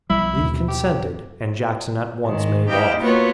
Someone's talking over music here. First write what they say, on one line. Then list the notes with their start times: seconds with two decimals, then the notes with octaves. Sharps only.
Lee consented, and Jackson at once made off.
0.10 B1 F3 G3 E4
0.40 D#2 B2
0.68 G4
2.25 G#2 D#3 G#3
2.68 E4 G4 D#5 F5 G5
3.00 A#3 B3 F4 F#4 B4 C#5